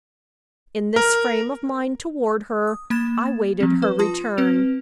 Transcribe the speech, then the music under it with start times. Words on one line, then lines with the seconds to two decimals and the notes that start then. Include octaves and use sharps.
In this frame of mind toward her, I waited her return.
0.96 A#4
2.67 D#6
2.90 A#3 B5 G#6 A6 E7
3.60 F3 C4
3.82 B4
3.99 F4 A5 C6 D#6
4.37 C4 B4 D7 F7